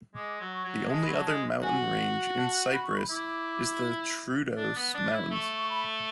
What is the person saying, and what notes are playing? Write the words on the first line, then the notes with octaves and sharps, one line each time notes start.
The only other mountain range in Cyprus is the Troodos Mountains.
G#3 D6
F#3
C#6
F#3
G#3 A5
B5
F#3
A5
G#3
F#4 G#5
F#5
A5
B5
C#6
B5
E4 D6
D4
B3
D4
E4
A3 C#6
C#6
B5